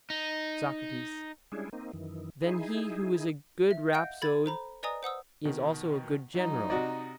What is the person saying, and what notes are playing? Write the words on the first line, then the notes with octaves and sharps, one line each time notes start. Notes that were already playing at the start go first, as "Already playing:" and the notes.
SOCRATES: Then he who is a good rhapsode is also a good general?
D#4
G3 G#3 C#4 D4 E4 G#4
A#3 C4 D#4
F#2 D#3 E3
D#4 E4 G#4
E5
D#5 F5 F#5 G6 D7
A4 B5 G#6 A6
C5 A#5 B5
B4 D5 D#5 G#5 A#5 D#6
C5 F#5 D#6 E6
B2 D#3
F#3 D#4
C3 F#4 D5 D#5 A#5